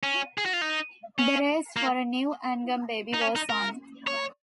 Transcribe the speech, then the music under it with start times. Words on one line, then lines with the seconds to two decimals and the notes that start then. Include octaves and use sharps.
The race for a new Angam Baby was on.
0.03 C#4
0.38 G#4
0.46 F#4
0.53 F4
0.61 D#4
1.19 C#4
1.77 A#3
3.14 D#4
3.21 C#4
3.36 D#4
3.50 A#4
4.07 C#5